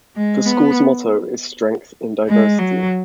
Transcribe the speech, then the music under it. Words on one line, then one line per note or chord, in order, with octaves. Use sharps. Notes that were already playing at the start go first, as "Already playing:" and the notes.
The school's motto is "Strength in Diversity".
G#3
B3
G#3
F#3